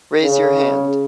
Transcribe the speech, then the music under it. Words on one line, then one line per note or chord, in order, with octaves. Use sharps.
Raise your hand.
C#3